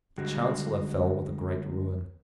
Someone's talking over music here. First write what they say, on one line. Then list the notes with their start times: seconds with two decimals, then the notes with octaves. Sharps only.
The Chancellor fell with a great ruin.
0.17 D3 G3 G#3 F#4